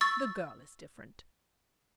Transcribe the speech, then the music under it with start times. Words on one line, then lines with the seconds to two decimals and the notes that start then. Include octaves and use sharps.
The girl is different.
0.01 C#6 E6 A6